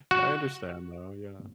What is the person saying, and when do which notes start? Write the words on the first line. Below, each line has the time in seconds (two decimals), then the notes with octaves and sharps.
I understand, though, yeah.
0.11 F#4